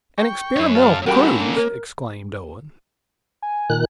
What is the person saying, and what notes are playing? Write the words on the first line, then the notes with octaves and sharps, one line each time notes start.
"An experimental cruise!" exclaimed Owen.
G5 C#6
F#2 D4 C#5 E5
F#4 F5 A5
G3 C#4 F#4 A4 A#4 G5 B5
A#3
A#4
G#5
A#2 D#3 F#6